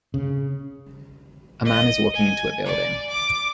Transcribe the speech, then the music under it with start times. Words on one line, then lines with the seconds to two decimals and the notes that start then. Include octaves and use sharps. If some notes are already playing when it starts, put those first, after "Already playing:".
A man is walking into a building.
0.14 C#3
1.65 D#5
2.14 G#5
2.65 D5
3.10 D6